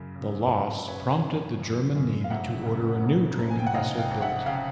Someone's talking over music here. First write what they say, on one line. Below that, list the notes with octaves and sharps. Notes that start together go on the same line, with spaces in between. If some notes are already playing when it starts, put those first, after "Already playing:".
The loss prompted the German Navy to order a new training vessel built.
Already playing: F#2 C#3
C#3
C#3
F#2 B4 C#5
F#2
F#2
F#2
F5
F1 E5 F#5
C#3
F1
F1
G#5
G5
F#5
F1 D#5 F5
F5 G5
F1
E5 F#5
C#3 F5 G5